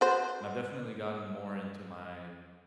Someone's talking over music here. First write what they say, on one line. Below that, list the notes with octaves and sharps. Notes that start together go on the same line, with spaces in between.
And I've definitely gotten more into my,
F#4 C5